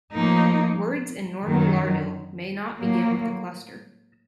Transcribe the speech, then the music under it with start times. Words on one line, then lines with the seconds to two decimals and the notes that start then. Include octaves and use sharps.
Words in normal Lardil may not begin with a cluster.
0.13 A2 F3 A#3 D#4
1.45 F#2 D#3 F#3
2.76 A2 F#3 A#3